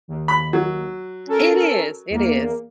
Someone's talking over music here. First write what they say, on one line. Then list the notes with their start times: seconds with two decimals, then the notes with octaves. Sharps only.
It is, it is.
0.08 D#2
0.28 B5
0.53 F#3
1.26 C#4 A4 A#4
2.10 E2 A#3